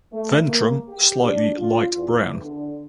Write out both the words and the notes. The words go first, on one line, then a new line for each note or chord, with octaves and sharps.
Ventrum slightly light brown.
A3
A#3
G4
D4
F4
E2
D3